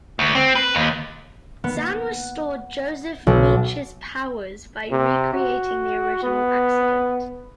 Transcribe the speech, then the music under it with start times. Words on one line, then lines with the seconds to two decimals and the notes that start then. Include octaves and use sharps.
Xan restored Joseph Meach's powers by recreating the original accident.
0.19 D2
0.35 C4
0.55 B4
0.75 D#2
1.64 B3
3.27 B1
4.91 C3
5.33 F#4
6.23 B3